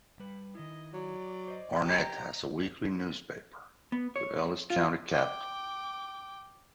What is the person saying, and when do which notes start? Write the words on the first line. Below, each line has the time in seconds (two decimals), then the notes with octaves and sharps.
Arnett has a weekly newspaper, "The Ellis County Capital".
0.20 G3 B4
0.55 D#3 E4 D#5
0.93 F#3 D5
1.48 C5 D#5
1.84 G4 A#5
3.92 B3
4.16 C#5
4.70 F4
5.11 G5 D6